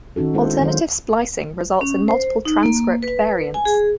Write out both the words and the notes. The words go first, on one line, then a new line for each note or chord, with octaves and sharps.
Alternative splicing results in multiple transcript variants.
D#3 C#4 D#4 F#4 A4
G#3 C4 E4 A4 C5 F#5
B3
D#3 F#3 C5 C#5 F5
C#4
C5
D#4
A#3
B4
G#5
G#4